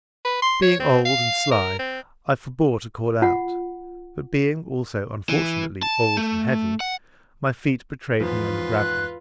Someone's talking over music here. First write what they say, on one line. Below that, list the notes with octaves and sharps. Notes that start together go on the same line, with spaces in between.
Being old and sly, I forbore to call out; but being also, unfortunately, old and heavy, my feet betrayed me on the gravel.
B4
C6
C#5
C4
F5
A#4
C4
F4 F#5
E3
A5
A3
F#5
E2 G#2 F3 F4 B4
F#6